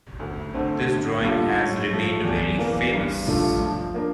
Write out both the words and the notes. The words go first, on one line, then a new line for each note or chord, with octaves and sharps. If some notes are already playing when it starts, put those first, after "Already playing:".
This drawing has remained very famous.
D2
D3 A3 C4
D3
G3 D4 F4 A4
A2
F3 A3
E2
E3 A#3
G2
F3 A3 D4 F4
F3
A#3 D4